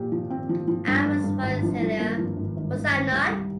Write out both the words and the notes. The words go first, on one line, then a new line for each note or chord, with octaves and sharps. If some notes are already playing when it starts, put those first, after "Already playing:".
I was right, Celia, was I not?
Already playing: A#2 F3 G4
F3
C4
F3
F3
G2
G2
G2
G#1
F3
F3
A#3
F3
G#1
G#1
G#1
G#1
C2
G3